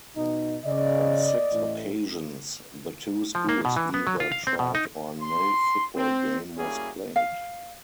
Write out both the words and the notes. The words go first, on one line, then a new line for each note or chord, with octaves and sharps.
On six occasions, the two schools either tied or no football game was played.
B2 D#4
C#3 D5 D#5
A1 A2
F3
A#3
B2
E3
B3
F#3
F4
F5
C4
B2
D#4
C6
C4
G3 A#3 C#4 E4 F#4 G#4
F5